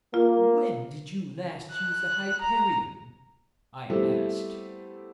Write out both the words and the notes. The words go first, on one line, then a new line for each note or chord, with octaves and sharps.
"When did you last use the Hyperion?" I asked.
A#3 F4
F#6
A#5
G3 A3 B3 C4 E4 G4